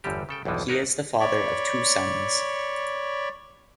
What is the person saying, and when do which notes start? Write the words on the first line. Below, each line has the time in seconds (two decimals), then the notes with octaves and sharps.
He is the father of two sons.
0.04 G1 E2 D3 G3 G4
0.29 C#3 A4 G5
0.45 B1 E2 G2 E3 F3
0.68 D#4 F#4 A#4 B4 C#5
1.20 C#5 D5 B5 C#6